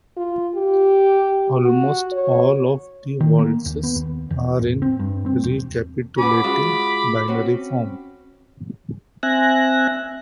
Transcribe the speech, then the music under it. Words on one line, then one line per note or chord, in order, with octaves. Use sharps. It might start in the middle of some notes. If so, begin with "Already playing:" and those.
Almost all of the waltzes are in a recapitulating binary form.
F4
G4
F#4
C#5
D#3
A#3
D#2
B3
D#2
E2
A1
C4
G2
C4
E1
B3 C#4 B5 D6
G#3 F4 F#4
C4 C#4 F#4
C4 E5 G#5 F#6 A#6